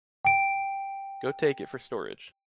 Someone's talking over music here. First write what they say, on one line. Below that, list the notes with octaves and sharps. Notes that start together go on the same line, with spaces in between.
Go take it for storage.
G5 D7